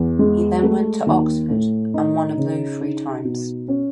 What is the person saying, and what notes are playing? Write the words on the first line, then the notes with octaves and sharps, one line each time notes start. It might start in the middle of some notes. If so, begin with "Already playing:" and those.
He then went to Oxford, and won a blue three times.
Already playing: E2
G#3
A3
D#2
A2
D#4
C#3
D#4
B2
C#4